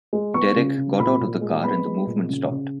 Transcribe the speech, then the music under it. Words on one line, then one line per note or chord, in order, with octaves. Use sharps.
Derek got out of the car and the movement stopped.
G#3
B3 C#6
C#3
C#3
A#2 B5
A#2
G#3
B3 B5
G#3
A#2
C#3
C#3